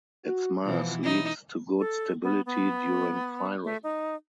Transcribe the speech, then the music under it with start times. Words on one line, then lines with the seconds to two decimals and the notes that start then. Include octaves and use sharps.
Its mass leads to good stability during firing.
0.25 F#4
0.65 B2 E3 F3 F#4
1.04 F#3 G3 D#4 E4
1.79 A4
2.23 B3
2.46 B3
3.64 A3
3.83 D#4